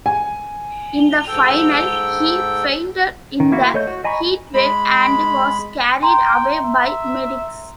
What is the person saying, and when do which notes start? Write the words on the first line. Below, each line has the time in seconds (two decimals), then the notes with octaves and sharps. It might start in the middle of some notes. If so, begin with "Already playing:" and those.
In the final, he fainted in the heatwave and was carried away by medics.
0.06 G#5
1.27 G#2 A4 G5
3.40 D#3
3.52 A#3 E4 F#4
3.74 A3 A4 C#5 D#5 G6
3.87 F#4
4.04 D#5 G#5 A#5 B5 C#6
4.54 G#3 B5
6.03 G5 A#5 C6
6.65 E5